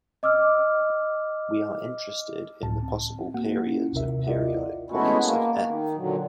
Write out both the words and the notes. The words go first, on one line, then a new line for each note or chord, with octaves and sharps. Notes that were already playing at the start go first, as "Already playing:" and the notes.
We are interested in the possible periods of periodic points of "f".
D#5 D6 E6 F6
C#2 A2 A5
C4
A#3 F#4 F#5
C#4 E4 F4
A1 D#2 C3 A#4 E5
E4 F4 A#4 D5 D#5 F#5
G#3 A3 B3 C#4 E4 F#4
A#3
D#3
A#2 D3 F#3